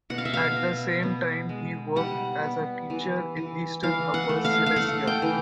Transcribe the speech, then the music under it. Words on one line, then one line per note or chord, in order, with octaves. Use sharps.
At the same time, he worked as a teacher in eastern Upper Silesia.
B2 F#5
F5
E5
F5
B2
B3
G#3
G3 F#5
B3
E3
E3
E3 F5
F#5
A3
F5
F5
A3 F#5
G5
E3